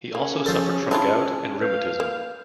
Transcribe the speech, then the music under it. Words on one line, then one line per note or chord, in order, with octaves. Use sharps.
He also suffered from gout and rheumatism.
A#3 C#4 G#4
F3 A4
C4 D4 E4 F4 A5
B4 F5 G6
A#3